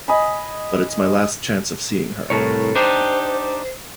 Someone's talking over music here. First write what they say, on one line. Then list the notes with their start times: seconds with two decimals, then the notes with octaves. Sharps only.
But it's my last chance of seeing her.
0.08 D#5 G#5 B5
2.30 C2 A2 A4 A#4 C#5
2.75 D4 D#4 G4 C5